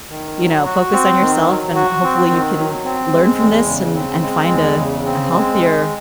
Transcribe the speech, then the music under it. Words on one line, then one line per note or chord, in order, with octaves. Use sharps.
you know, focus on yourself, and hopefully you can learn from this, and and find a a healthier
D#3
F#3
F#4
C4
D#3
F#3
F#4
C4
D#3
F#3
C4
G#3
E2
C#3
C4
G#3
E2
C#3
C4
G#3